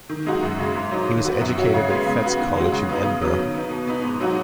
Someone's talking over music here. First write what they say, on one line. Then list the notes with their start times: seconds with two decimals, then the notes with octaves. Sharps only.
He was educated at Fettes College in Edinburgh.
0.10 D#3
0.26 G#3 D#4 F#4
0.42 F#2
0.59 C#3 G#3
0.76 G#2
0.92 F#3 D#4
1.08 D#3
1.25 B3 F#4
1.41 F#2
1.58 F#3 C#4 F#4
1.74 C#3
1.90 G#3 B3
2.06 C#3
2.23 B3 F#4
2.39 D#3
2.56 G#3 C#4 F#4
2.72 C#3
2.89 B3 D#4
3.05 C#3
3.21 F#3 B3
3.38 D#3
3.54 B3 D#4
3.71 B2
3.87 B3 D#4
4.03 G#2
4.20 F#3 D#4 F#4